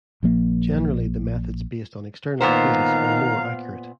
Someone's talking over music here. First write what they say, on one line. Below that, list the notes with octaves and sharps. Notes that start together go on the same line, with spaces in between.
Generally the methods based on external fields are more accurate.
A#1 F3 A#3
A#2 D#3 B3 C5 F5 A#5